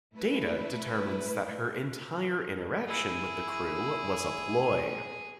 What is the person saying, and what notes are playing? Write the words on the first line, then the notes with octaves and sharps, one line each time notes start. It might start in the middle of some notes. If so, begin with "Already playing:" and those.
Data determines that her entire interaction with the crew was a ploy.
A3 E4 B4
E4 G#4